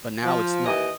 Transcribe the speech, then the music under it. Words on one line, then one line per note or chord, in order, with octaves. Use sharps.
but now it's not
F3
D#2 E3 D#5